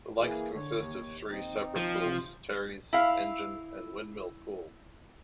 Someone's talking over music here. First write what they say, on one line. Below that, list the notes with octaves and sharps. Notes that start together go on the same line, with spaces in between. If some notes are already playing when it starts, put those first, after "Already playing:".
The lakes consist of three separate pools; Terry's, Engine and Windmill Pool.
E3 A#3 G#4
D3 C#5
D#2
C4 D#4
F3
C3
E4 F5